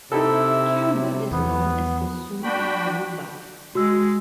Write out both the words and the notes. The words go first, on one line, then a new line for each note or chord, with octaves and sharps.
Camwood is known as "osun" in Yoruba.
C3 D#4 E4 G4 A4 E5
E2 B3
D4 F#4 G5 B5
G#3 F#4 E6